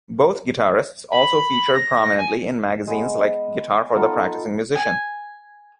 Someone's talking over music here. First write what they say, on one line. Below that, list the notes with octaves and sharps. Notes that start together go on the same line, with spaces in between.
Both guitarists also featured prominently in magazines like Guitar for the Practicing Musician.
B5
A#6
G#5
E6
G#3 B3
B3 D#4 F4 A4
G#5